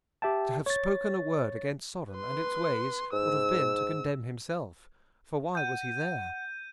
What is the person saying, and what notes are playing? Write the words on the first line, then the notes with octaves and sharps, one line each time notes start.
To have spoken a word against Sodom and its ways would have been to condemn himself,--for why was he there?
G4 E5 G5 A5
C#5 A6
B4 C6
G#2 E6
F#5 G6 D#7